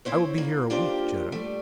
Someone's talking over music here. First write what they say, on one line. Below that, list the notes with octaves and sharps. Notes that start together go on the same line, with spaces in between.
"I will be here a week, Jetta."
C4 E4 C5 C#5
A#3
A#3 D4 F4 G4 A#4 C5
G3 A3